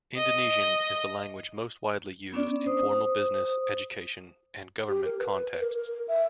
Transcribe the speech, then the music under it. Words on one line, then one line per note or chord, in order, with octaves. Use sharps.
Indonesian is the language most widely used in formal business, education and government contexts.
D#5
B3 C#4 D4 D5
C5 D#6
G4
A#4
B4
A#4
A#4
E5